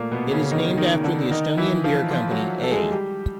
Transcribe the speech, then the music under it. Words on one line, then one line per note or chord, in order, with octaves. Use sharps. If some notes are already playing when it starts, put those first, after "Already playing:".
It is named after the Estonian beer company A.
Already playing: A#2 A3 A#3
B2 B3
C#3 C#4
D#3 D#4
D#3 D#4
D3 D4
D#3 D#4
E3 E4
F3 F4
F3 F4
F#3 F#4
A4
G#3 G#4
G3 G4